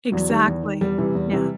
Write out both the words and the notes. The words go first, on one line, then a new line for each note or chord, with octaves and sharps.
Exactly. Yeah.
E2 F#3
D#3 G3
E2
D#3
E2 G3
C3 E3
E2
C3 E3